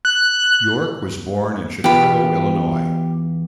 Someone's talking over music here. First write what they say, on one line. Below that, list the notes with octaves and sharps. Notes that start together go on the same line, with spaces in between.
York was born in Chicago, Illinois.
F#6
E2 B3 F4 G4 B5